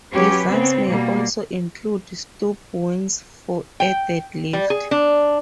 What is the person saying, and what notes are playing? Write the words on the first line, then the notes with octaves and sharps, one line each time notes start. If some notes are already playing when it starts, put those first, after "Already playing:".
Designs may also include stub wings for added lift.
F#3 C#4 G4 B4
C#3 B3 C4
B2 G3 A#3
G5
G3
G#4
D4